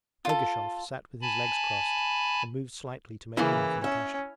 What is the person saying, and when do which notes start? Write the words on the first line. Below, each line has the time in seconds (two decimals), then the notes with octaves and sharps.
Ergushov sat with his legs crossed and moved slightly to make room for Lukashka.
0.25 F4 A4
1.22 G#5 A5 B5
3.37 C#3 E3 A#3 E4
3.84 C#4 E5